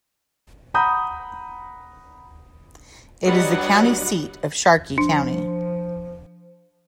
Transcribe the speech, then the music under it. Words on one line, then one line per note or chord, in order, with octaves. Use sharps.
It is the county seat of Sharkey County.
F#5 A#5 B5 D#6 G6
F#3 G3 D4 B4 D#5 F#5
F3 D4